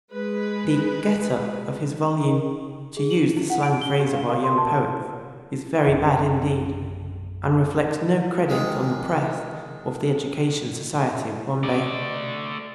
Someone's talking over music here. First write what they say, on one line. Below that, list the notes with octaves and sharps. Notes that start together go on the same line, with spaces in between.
The 'get-up' of his volume, to use the slang phrase of our young poets, is very bad indeed, and reflects no credit on the press of the Education Society of Bombay.
G#3 B4
G#4
F#7
E4
F#5
D7
G7
G4
F5
A#4
C6
A5
A#1 F#2 B3
D#3 G#3
A3 D5